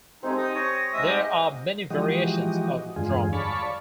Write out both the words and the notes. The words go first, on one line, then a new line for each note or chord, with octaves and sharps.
There are many variations of 'Drom'.
G#3 A3 C4 D#4 G4 G#5
D#4 D#6
C#5 A#6
G#2 G#3 E5 D#6
G4
E3 F3 G#3 F#4 G4 D#5
E2 G2 D3 G#3 F4 G#4
C#5 D5 F5 A5 B5 C#6